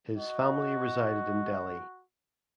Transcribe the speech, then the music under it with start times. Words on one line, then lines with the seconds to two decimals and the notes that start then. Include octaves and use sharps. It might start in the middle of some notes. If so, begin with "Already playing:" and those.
His family resided in Delhi.
0.17 F#4 D#5